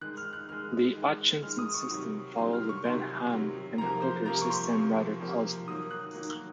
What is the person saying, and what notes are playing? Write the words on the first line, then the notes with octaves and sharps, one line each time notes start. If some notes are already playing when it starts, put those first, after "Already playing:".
The Hutchinson system follows the Bentham and Hooker system rather closely.
D#3 G#3 F#6
F6
F#6
D#3 G#3 F6
D#3 G#3
D#3 G#3 F6
D#6
C#6
C3 D#3 F#3
C3 D#3 F#3 C6
F6
C#6
C3 D#3 F#3 C6
C3 D#3 F#3
C3 F3 A#3 A#5
C5
C3 F3 A#3 A#5
C#6
C6
C3 F3 A#3 C#6
C3 F3 A#3
D#3 F#3 A#3 D#6
F#6
D#3 F#3 A#3